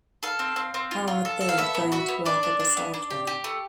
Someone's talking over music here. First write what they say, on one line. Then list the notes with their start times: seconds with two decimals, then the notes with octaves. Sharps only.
How are "they" going to work up a cyclone?
0.23 A4 F5
0.39 C4
0.56 C4
0.74 C4
0.91 F4
1.08 F4
1.25 A4
1.41 A4
1.49 F5
1.58 B3 E5
1.75 B3
1.92 F#4 E5
2.08 B3
2.25 D4 D5
2.43 D4
2.60 D4
2.77 B3
2.94 D4
3.10 G4
3.27 G4
3.44 A3